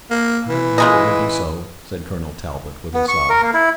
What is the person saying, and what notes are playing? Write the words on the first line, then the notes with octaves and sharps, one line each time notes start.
"I knew it would be so," said Colonel Talbot, with a sigh.
A#3
E3
C#3 G#3 D#5
B3
C#6
A#4
A#3
E4